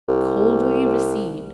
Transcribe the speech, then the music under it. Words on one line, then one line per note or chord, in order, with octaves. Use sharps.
Coldly received.
C2